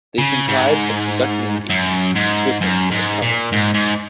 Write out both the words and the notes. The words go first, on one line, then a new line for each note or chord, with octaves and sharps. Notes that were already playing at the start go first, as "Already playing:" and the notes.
They contrived a conducting engagement in Switzerland as cover.
C#3
G#2
F#2
G#2
F#2
G#2
A#2
G#2
G#2